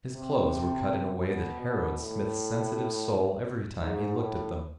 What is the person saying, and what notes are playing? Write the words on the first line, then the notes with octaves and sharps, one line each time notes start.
His clothes were cut in a way that harrowed Psmith's sensitive soul every time he looked at them.
C3
B2
B2
A2
G#2
A2